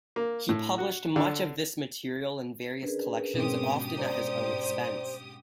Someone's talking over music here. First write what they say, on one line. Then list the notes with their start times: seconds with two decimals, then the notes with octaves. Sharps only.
He published much of this material in various collections, often at his own expense.
0.16 A#3
0.49 A2
0.78 F#4
1.16 D3
2.83 C#4 D4 G#4 A#4 B4
3.34 G#2 B2 C4 C#4 G4 D#6
3.98 C5 D5 A#5